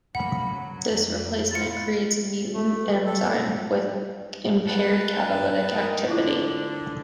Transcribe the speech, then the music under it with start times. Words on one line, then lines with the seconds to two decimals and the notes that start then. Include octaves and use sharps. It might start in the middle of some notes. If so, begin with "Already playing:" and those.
This replacement creates a mutant enzyme with impaired catalytic activity.
0.15 G1 F#3 A#3 F#5 B5
0.51 C#3 F#3
0.82 F2 A#3
1.51 E4 F4 A6 C#7
2.54 A3 A4
2.82 B4
3.06 A4
3.19 A#3
4.67 A#4 B4 A5
5.18 G5
5.66 D#4 A#4
6.08 D3 D4 E4 F4